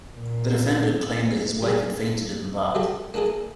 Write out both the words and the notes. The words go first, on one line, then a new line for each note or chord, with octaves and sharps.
The defendant claimed that his wife had fainted in the bath.
A#2
G3 G#4
F#3 G3 A4
A#3 D4 E4 G#4 A4